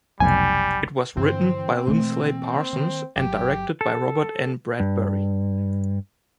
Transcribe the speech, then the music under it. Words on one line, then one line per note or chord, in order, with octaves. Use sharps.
It was written by Lindsley Parsons and directed by Robert N. Bradbury.
F1 B1 G3 G#5
G2 D3 E3 C4
B2 E3 A3 A#3
D#3
G1 F#3 G4
A4
G2